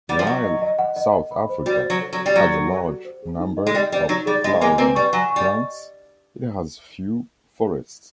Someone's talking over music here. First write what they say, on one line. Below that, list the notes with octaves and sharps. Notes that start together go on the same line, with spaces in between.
While South Africa has a large number of flowering plants, it has few forests.
G3 F#5
F3
F#3 F#5
D#5
D#5
F#5
D#5
D#5
B5
C5
G3 F#4
C5
F#3
A4
F#3
F#4
G3
F#3 F#4
A4
A4
F#4
C5
G#4
D#4
D#5
G#3
G3 D#5
G3 C5
F#3 D#4
G3 G#4
G#3 D#5
G#3 A#3 G#5
A#3 C4 B4
G3 C#6
F#3 G#5
C#6
G3
D#5